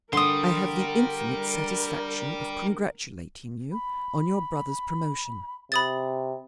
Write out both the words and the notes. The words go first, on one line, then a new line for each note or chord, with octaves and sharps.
I have the infinite satisfaction of congratulating you on your brother's promotion.
D3 G3 A#4 C6 D#6
B5
C3 B5 D#6 A6